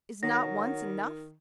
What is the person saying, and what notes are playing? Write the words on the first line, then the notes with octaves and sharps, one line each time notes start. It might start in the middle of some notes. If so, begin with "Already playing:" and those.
Is not once enough?
D#3 F#3 A#6